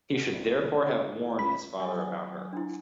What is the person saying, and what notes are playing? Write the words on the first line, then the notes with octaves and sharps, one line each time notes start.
He should therefore have warned his father about her.
B2
C2
C#3
E2
C#2 B5
F#3 F#5 G#5
D4 E4